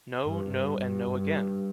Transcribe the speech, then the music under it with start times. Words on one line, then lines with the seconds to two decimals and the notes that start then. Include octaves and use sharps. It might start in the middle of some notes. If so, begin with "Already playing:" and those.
No, no and no again!
0.24 G2
0.53 G2
0.82 G2
1.11 G2